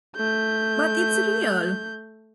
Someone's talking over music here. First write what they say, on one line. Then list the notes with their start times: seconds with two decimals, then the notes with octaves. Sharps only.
But it's real!
0.17 A3 G6